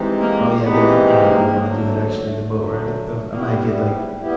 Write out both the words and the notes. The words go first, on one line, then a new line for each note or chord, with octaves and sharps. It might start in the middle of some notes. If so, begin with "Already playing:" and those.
Oh, yeah, then I probably wouldn't wanna do that actually, the boat ride and stuff. I might get, like,
Already playing: E3 G#3 C4 D#4 G4
A#3
E3 G#3 B3 C4 D#4 G4
A#3
D3 F#3 A3
D3 F#3 A3
G3 A#3 B3 E4 G4
G3 B3 E4 G4